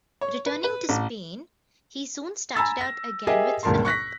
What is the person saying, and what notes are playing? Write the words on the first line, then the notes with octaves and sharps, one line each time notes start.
Returning to Spain, he soon started out again with Philip.
C#5
B4
B4
A1
G#5 A#5 B5 E6 A6
A#6
G4 G#4 A#4 D#5 E5
G1 C#2 A#2 A#4 A5 C6
C#6 F#6 A#6 B6